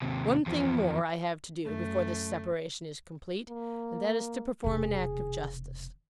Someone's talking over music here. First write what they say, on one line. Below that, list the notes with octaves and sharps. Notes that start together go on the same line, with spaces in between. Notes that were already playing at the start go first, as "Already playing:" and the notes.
'One thing more I have to do, before this separation is complete, and that is to perform an act of justice.
D#2 C3
E2 F3
F#2 A3
A#3
E1 C3 G#4